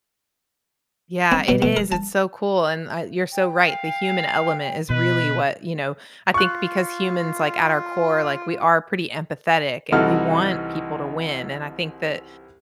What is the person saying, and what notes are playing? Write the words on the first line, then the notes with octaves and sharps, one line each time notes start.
Yeah, it is. It's so cool, and I you're so right. The human element is really what you know, I think because humans, like, at our core, like, we are pretty empathetic, and we want people to win, and I think that
C4
B2
B2
A#4
A5
G5
F5
B2 B4 D#5
F4 C#6 F#6
C2 E3 D#4 F#4 A4 F6